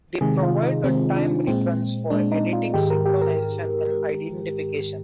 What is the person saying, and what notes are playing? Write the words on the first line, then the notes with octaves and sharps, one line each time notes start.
They provide a time reference for editing, synchronization and identification.
C3 D#3 G#3 G#4
F4
D#4
C3 D#3 G#3 C4
D4
A#2 G#3 C4
A#2 G#3 D4
D#4
F4
G#2 D#3 G#3 G4
A#4
G4
A#4